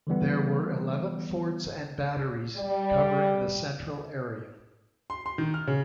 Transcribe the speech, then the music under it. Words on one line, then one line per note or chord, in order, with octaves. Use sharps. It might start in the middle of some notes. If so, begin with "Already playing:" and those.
There were eleven forts and batteries covering the central area.
D3 E3 G3 B3
G3
C6
C6
D#3
F6
C#3